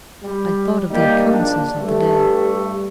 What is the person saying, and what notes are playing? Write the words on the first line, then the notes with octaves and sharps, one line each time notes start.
I thought of the occurrences of the day.
G3
G3 A#3 D#4 G4
A#1 D4
G2 G3 A3